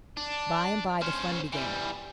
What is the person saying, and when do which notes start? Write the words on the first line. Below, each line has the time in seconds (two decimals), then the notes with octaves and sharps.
By-and-by the fun began.
0.17 D4
1.02 C#4 C5
1.53 E3 G3